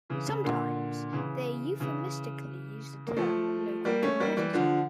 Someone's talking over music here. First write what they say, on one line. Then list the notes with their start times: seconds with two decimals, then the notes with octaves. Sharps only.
Sometimes they euphemistically use the term "local competitor".
0.10 C#3 E3
0.27 C#3
0.44 A#2 D3
1.13 C#3 E3
1.80 C#3 E3
3.07 A#3
3.17 F3 A3
3.85 G3 A#3
4.02 A3 C#4
4.20 G3 A#3
4.37 E3 G3
4.53 D3 F3